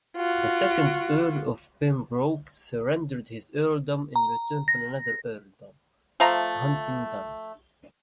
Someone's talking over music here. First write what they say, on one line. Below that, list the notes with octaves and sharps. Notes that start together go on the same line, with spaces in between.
The second Earl of Pembroke surrendered his earldom in return for another earldom, Huntingdon.
F4 F#4
A#5
A#6
F3 A3 F5 A#5